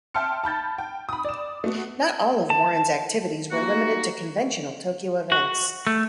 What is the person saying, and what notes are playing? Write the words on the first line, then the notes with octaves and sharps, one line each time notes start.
Not all of Warren's activities were limited to conventional Tokyo events.
E5 G5 A5 C6 F6 C#7
A5 B5 G6 A6
G5
B5 D#6
D5 E7
A3 B3 F#4
A5
G3 A#3 D#4 F#4
F#4
A3